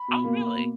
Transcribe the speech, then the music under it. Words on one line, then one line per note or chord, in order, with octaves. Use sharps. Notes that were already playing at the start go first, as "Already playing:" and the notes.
Oh, really?
Already playing: B5
B2
A#3
A#3
B2